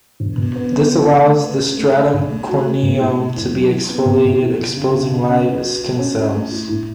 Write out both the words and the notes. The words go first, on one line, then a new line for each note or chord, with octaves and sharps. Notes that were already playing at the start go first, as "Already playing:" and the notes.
This allows the stratum corneum to be exfoliated, exposing live skin cells.
E1
B2
B3
B3
C#3
C#3
A3
B4
C#4
A3
A3
B1
A3
F#4
A3
B2
A2
A3
E2
F#3
E3
B3
B2
B2
E3
F#1
C#3
C#3
C#3
C#4
B4
F#4
F#4
C#4
C#4
A3
E4
A2